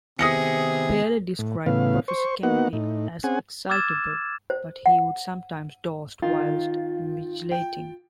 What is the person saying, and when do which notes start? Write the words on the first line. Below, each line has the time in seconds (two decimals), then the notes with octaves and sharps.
Paley described Professor Kennedy as excitable, but he would sometimes doze whilst invigilating.
0.19 C3 D#3 B3 G#4 D#6 A#6 C#7
1.39 A2
1.66 A2 C#3 E3 B3 F5
2.08 C5 C#6
2.43 A#3 B3 D#4 F#4 F#5
2.73 A2 D#4
3.24 C4 C#4 G#4 F#5 G#5
3.69 D6 E6 F6 G#6 A6 E7
4.50 C5
4.86 F#5
6.22 D#3 F4
7.52 G5